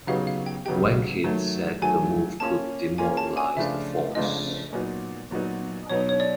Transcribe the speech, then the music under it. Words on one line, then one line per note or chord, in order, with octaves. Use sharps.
Wankhede said the move could demoralise the force.
C#3 F#3 B3 D#4 G4 F5
F5
G5
C#3 F#3 B3 D#4 G4 G5
D#3 F#3 A3
D#3 F#3 A3 G#5
A#3 C#4 F4 A5
A#3 C#4 F4 G#5
A5
G#5
C#3 F3 A3 D4 F4 E5
C#3 F3 A3 D4 F4 D#5
A#2 F#3 B3 D#4 F#4
A#2 F#3 B3 D#4 F#4
B2 F#3 B3 D#4 C#5
C#5
D5